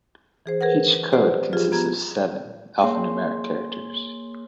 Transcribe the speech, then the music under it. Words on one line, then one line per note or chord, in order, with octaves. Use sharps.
Each code consists of seven alphanumeric characters.
E3 G#4 C5
G#4 A#4 B4 F#5
G4 B4 C5 D5 F#5
F3 F4 G4 G#4
B3 G4 A#5 G#6
A#3 G#4 C#5 C6